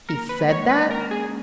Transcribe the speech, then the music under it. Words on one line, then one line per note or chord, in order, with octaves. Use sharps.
"He said that?"
A#3 A#4
B4
G#3
A#3 C#5
G#3
A#3 B4
A#4
C#4
G#4